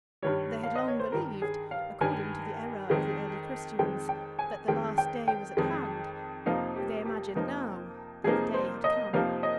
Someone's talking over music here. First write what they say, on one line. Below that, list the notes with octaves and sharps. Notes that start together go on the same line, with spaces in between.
They had long believed, according to the error of the early Christians, that the Last Day was at hand; they imagined now that the Day had come.
G2 D#3 G3 C#5
F5
D#5
C#5
C5
G2 D#3 G3 A#4
G#4
F5
G2 D#3 G3 G#5
F2 D#3 G#3
F2 D#3 G#3 G5
G5
G#5
F2 D#3 G#3 G5
G5
G5
F2 D#3 G#3
F2 C3 F3 A#3 D#4 F5
G4
G4
F2 C3 F3 A#3 D#4
F2 C3 F3 A#3 D#4 G#4
C5
D#5
F2 C3 F3 A#3 D#4 F5
D#5